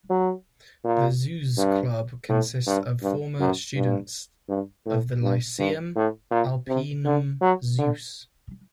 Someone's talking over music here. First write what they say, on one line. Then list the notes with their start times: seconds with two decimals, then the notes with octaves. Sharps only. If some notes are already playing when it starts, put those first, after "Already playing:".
The Zuoz Club consists of former students of the Lyceum Alpinum Zuoz.
0.10 F#3
0.84 A#2
1.57 G2
2.29 A2
2.67 G2
3.02 G2
3.40 F#2
3.75 G2
4.49 G2
4.86 A2
5.22 G2
5.58 G2
5.96 A2
6.31 A#2
6.68 C3
7.05 D3
7.41 F#3
7.78 D3